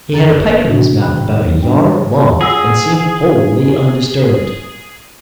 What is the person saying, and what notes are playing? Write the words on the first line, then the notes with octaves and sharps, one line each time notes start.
He had a pipe in his mouth about a yard long, and seemed wholly undisturbed.
F#2 A#5 A6
B4 E5
C3 E3 D4 F#4
D#3 G5 B5 F#6
G#2 G3 D4 G5
F4 G#4 F#5 E6